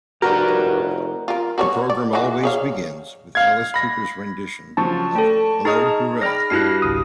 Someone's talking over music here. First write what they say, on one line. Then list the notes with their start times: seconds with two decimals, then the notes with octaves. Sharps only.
The program always begins with Alice Cooper's rendition of "Hello Hooray".
0.22 F1 F#4 G4 A#4 B4 D5
1.28 F4 A#4
1.58 F#4 A#4 C#5
1.90 D5
2.13 E3 G#3 F#4
2.43 G#4 C#5 F5
3.35 F5 G#6
3.74 B5 A#6
4.77 C#3 F3 F#3 A5 C#6
5.15 A3 A4 G5
5.65 D#4 G#4 D#5 A#5 D#6 F6
6.22 D5 G5 B5 F6 A#6
6.50 G2 E4 F#4 F#6 C7
6.82 G#1 C#2 D#6